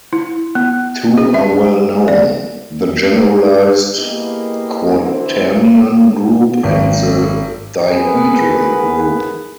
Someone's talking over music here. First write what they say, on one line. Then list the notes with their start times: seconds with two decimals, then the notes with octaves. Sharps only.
Two are well known, the generalized quaternion group and the dihedral group.
0.13 E4
0.55 B3
1.18 G#4
1.34 E5
2.08 D5
3.99 A#3 B3 E4 G4 G#4 D#5
4.94 B2 D3 E3 E4 C5
6.63 G#1
7.88 B3 G#4 A#4 B4